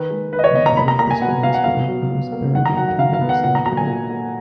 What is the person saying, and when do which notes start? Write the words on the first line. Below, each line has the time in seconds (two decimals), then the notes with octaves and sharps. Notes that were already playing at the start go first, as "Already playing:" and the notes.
He died in Brisbane Hospital and was buried in Toowong Cemetery.
Already playing: D#3 B4
0.10 G#3
0.32 D#3 B4
0.39 D#5
0.44 C#5
0.55 B3 D#5
0.66 A#5
0.77 A#3 B5
0.88 A#5
0.99 A#3 A#5
1.11 G#5
1.21 B2 F#5
1.43 B2 F5
1.54 F#5
1.64 B2 F5
1.88 F#3
2.11 B2
2.32 A#3
2.55 D#3 F#5
2.66 A#5
2.77 F#3 F#5
2.88 F#5
2.99 D#3 F5
3.13 F5
3.21 B3
3.29 F#5
3.43 A#2 F#5
3.55 A#5
3.66 F#3 A#5
3.77 G#5
3.88 A#2
4.10 A#3